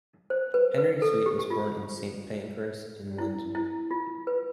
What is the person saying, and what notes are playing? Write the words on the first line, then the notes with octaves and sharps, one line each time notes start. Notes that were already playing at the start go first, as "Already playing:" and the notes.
Henry Sweet was born in Saint Pancras in London.
C5
B4
B4
A4
G4
G4
F4
E4
E4
F4
B4